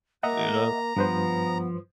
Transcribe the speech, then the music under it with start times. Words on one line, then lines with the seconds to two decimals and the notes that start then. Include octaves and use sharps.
You know?
0.23 A#3 D#5 E5 F#5 A#5
0.96 G2 F3 B3 B4 C5